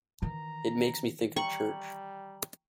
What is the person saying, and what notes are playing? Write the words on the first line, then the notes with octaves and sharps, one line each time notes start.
It makes me think of church.
D#3 E3 A#5
G3 G5 A#5 C#6 F#7